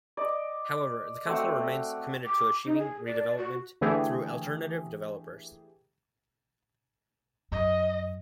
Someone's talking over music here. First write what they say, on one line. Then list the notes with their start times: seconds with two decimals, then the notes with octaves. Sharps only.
However, the council remains committed to achieving the redevelopment through alternative developers.
0.17 D5 D#5
1.26 A3 C4 F#4
2.26 D6
2.65 D#4
2.78 G#4
3.06 D5
3.38 F#4
3.81 D3 E3 A3 G4 G#4
7.52 F#2 D#5